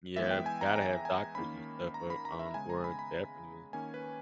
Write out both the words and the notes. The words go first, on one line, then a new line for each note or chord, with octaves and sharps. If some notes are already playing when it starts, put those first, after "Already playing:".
Yeah, gotta have doctors and stuff o on board, definitely.
E3 G#3 B3 E5
G5
G#5
A#5
A#5
G#5
D#3 A#3 C#4 B5
A#5
B5
A#5
E5
C#3 G#3 B3 G#5
A#5
B5
B5
D#3 A#3 C#4 G#5
B4